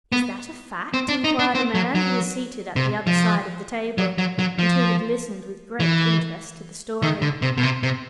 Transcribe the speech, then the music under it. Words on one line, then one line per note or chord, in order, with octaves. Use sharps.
"Is that a fact?" inquired a man who was seated at the other side of the table, and who had listened with great interest to the story.
B3
C4
D4
D#4
D4
C4
F#3
F#3
C3
F3
F#3
F#3
F#3
F3
E3
D#3
D3
C3
B2
C3
C3